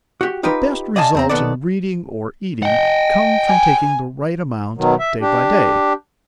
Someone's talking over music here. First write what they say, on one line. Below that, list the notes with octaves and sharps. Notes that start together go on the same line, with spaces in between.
The best results in reading or eating come from taking the right amount day by day.
F#4 G4
D#4 F4 G4 A#4 B4
D5 D#5 F5 G#5 A5
E2 C4 A#5
B1 D#3 B3 A4 D5
D#5 F#5 G5
G#5
B2 D#3 F#3
E5
D4 G4